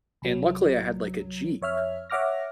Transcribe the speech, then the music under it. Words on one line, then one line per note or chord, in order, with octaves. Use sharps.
and luckily I had, like, a Jeep
C2 F#3
F2 C#5 E5 F6
C#5 E5 F#5 D6 F6 A#6